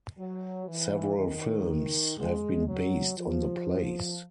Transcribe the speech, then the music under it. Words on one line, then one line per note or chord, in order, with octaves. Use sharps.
Several films have been based on the plays.
F#3
E3
D#3
G#3
F#3
F3